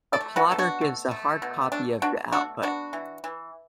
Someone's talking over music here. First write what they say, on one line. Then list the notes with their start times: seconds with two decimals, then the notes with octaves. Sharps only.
A plotter gives a hard copy of the output.
0.13 A4 D5
0.21 A3
0.36 F#4 B4
0.51 B2 A4
0.58 D4 F#4
0.81 A3
1.11 A3
1.42 B2
1.72 A3 D4
2.02 B2 D4 F#4
2.32 A3 D4 F#4
2.62 B3 D4 F#4
2.93 E3
3.24 E3